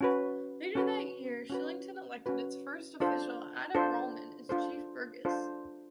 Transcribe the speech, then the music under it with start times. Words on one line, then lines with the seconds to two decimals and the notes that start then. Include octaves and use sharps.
Later that year Shillington elected its first official, Adam Rollman, as chief burgess.
0.01 C#4 F#4 B4
0.75 C#4 F#4 B4
1.50 C#4 F#4 B4
2.26 C#4 F#4 B4
3.00 D4 F4 A4 C5
3.75 D4 F4 A4 C5
4.49 D4 F4 A4 C5
5.25 D4 F4 A4 C5